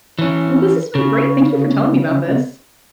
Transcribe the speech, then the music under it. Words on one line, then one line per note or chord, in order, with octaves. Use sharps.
Well, this has been great. Thank you for telling me about this.
E3 C#4
C#3